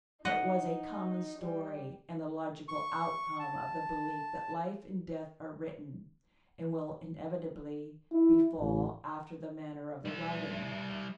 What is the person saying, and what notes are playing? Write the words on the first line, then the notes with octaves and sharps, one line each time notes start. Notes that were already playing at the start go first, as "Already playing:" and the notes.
It was a common story and the logical outcome of the belief that life and death are written and will inevitably befall after the manner of the writing.
D#4 D#5 F#5
G3
C#6
A5
E4
A1
G3 E5